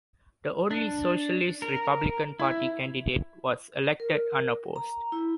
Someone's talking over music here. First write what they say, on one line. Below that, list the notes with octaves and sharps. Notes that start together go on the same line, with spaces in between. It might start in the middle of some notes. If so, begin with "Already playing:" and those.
The only Socialist Republican Party candidate was elected unopposed.
D4
A#4
E4
A#4
A#5
E4